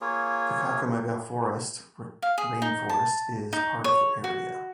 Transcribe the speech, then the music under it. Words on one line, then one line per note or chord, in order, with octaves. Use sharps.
The Kakamega Forest rainforest is part of the area.
A#3 F4 G#4 C#5
F5
G#4
D#4
A5
D#4
C#5
F#4